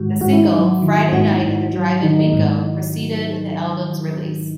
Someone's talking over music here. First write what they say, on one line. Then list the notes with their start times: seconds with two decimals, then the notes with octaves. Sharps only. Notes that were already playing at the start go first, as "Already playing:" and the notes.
The single "Friday Night at the Drive-in Bingo" preceded the album's release.
Already playing: G#2 D#3 F#4
0.21 G#2 F#4
0.33 E4
0.45 D#4
0.52 F#3 E4
0.82 D#3
1.12 G#2 F#4
1.43 G#2
1.73 F#3
2.03 D#3 D#4
2.19 D#4
2.33 G#2